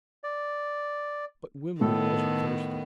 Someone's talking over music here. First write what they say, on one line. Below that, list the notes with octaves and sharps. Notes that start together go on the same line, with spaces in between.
But Wimley wasn't thirsty.
D5
A2 D#3 B3 A4